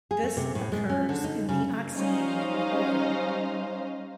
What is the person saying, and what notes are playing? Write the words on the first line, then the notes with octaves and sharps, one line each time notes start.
This occurs in the oxyanion hole.
G#4
A3
C3
A2
G#3
C#4
D3
D#4
C#3
G3 C#4 D#4 C5 D#5 F5